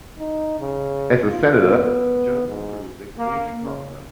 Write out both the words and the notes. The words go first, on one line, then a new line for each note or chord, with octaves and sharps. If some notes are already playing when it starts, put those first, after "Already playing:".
As a senator, Johnson proved extremely popular.
D#4
C#3
F4
B3
G#2
A#3
C#3